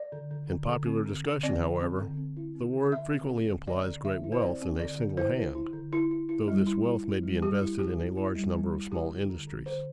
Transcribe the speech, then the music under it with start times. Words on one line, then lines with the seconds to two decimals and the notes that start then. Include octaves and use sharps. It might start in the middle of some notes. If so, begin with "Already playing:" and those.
In popular discussion, however, the word frequently implies great wealth in a single hand, though this wealth may be invested in a large number of small industries.
Already playing: D5
0.12 D3
0.31 D3
0.49 D3
0.67 D3
0.86 C4
1.05 D3
1.25 D3
1.43 C4 D5
1.62 D3
1.81 C4
1.99 D3
2.17 C4
2.37 E4
2.55 C4
2.73 D3
2.92 D3 E5
3.11 C4
3.30 C4
3.49 D3
3.68 C4 D5
3.87 D3
4.05 D3 E5
4.24 E4
4.32 C5
4.42 C4 D5
4.62 C4
4.80 D3 D5
4.99 D3
5.17 E4 C5
5.36 E4
5.55 E4
5.73 D3
5.93 E4
6.11 E4
6.29 E4
6.48 G3
6.67 E4
6.86 E4
7.04 E4
7.23 G3
7.42 G3 G4
7.61 E4
7.79 E4 G4
7.97 E4
8.17 E4
8.35 G3
8.55 G3
8.73 E4
8.92 E4 G4
9.11 D3
9.30 D3
9.47 D3
9.66 D3 C5